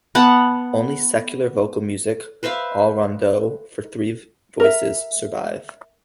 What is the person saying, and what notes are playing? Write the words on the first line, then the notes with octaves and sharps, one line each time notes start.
Only secular vocal music, all Rondeaux for three voices, survive.
B3 F#5 A5
B4 C5 E5 F5
A#4 E5